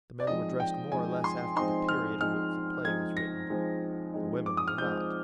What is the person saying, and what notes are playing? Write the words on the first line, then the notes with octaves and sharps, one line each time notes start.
The men were dressed more or less after the period in which the play was written; the women were not.
D5
F3 G#3 C4 D#4 D#5
G5
F3 G#3 C4 D#4 G#5
C6
F3 G#3 C4 D#4 C6
F6
F3 G#3 C4 D#4 F6
F3 G#3 C4 D#4 G#6
A#6
F3 G#3 C4 D#4
F3 G#3 C4 D#4
D6
D#6
F6
F3 G#3 C4 D#4 G6